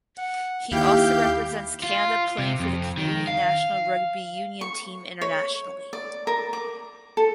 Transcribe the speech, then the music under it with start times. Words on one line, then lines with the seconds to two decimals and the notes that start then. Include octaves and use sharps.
He also represents Canada playing for the Canadian national rugby union team internationally.
0.18 F#5
0.72 D#2 E4 G4 F5 G6
1.83 F4
2.38 C3
2.60 F2
2.97 D#3
3.27 F5
4.61 C#6
5.21 C#5
5.93 D5
6.27 A#4
6.53 D6
7.17 A4